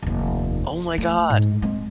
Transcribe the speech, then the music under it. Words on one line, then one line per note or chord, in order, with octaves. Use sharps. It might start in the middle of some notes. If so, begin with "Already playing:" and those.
Oh my God.
F1 D#2
A3
G#2
G#3 C4